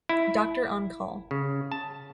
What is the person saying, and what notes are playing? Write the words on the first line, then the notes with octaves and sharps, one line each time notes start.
Doctor on Call.
E4
C#3
A5